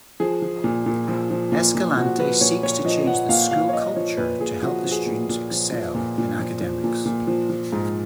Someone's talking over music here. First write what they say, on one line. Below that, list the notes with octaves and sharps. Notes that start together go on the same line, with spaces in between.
Escalante seeks to change the school culture to help the students excel in academics.
F3 G#4
F3
A#2
A#2
F3
F3
A#2
A#2
F3 F#4
F3 B4
A#2 C#5
A#2 C#5
F3 D#5
F3 F#5
A#2 F5
A#2 F5
C#5
F3 D#5
F3 C#5
A#2 B4
A#2 G#4
F3 F#4
F3
G#4
A#2
A#2
F3
F3
A#2
A#2
F3
F3
A#2
A#2
F3
F3
G#2